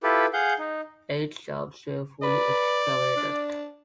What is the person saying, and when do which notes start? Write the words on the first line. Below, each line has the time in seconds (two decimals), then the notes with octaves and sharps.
Eight shafts were fully excavated.
0.03 E4 F4 G4 A4 B4
0.33 G#4 F5 F#5 G6
0.59 D#4
2.23 B4 D5
3.16 D4